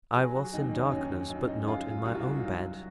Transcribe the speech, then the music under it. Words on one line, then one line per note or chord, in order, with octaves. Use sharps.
I was in darkness, but not in my own bed.
F#3 G#4
F#4
D#2 D#4
C#4
F#2 C#4
C#4
F#2 D#4
D#4
G#3 F4
C2 F#4
F4
F#4
F#3